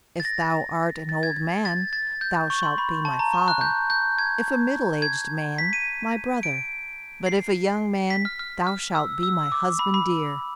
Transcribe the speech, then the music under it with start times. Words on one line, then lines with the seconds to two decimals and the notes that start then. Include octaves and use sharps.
If thou art an old man, thou shalt be my father; if a middle-aged man, my brother; but if a young man, thou shalt be my husband dear.
0.20 A6
0.25 A#6
1.09 A6
1.23 G#6
1.65 A6
1.93 A6
2.21 G6
2.50 C#6
2.63 C6
2.78 B5
3.05 A5
3.19 A#5
3.33 C#6
3.48 F#6
3.61 G6
3.90 G6
4.18 G#6
5.02 G#6
5.58 B6
5.73 D#7
6.43 D7
7.26 C7
8.10 B6
8.25 F6
8.39 F6
8.67 F6
8.95 E6
9.23 E6
9.52 D6
9.79 B5
9.94 B5